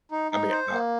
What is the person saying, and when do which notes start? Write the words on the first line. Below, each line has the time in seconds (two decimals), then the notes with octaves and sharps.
I mean, I
0.11 D#4
0.32 D#4
0.51 C5
0.71 A#3